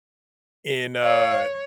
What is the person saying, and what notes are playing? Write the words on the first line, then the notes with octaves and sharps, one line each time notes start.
in, uh,
C#5 F5